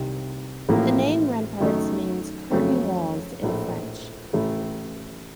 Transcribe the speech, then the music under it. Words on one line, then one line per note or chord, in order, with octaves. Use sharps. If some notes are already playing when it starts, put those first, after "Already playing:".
The name "Remparts" means curtain walls in French.
Already playing: C2 C3 D#3
A1 A2 F3 A#3
F#2 D#3 A3 D#4
F2 C#3 F#3 A3
A#1 A2 A3
A1 A2 A3